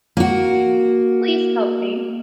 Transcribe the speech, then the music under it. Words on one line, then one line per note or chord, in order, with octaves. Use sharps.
Please help me.
A#3 F#4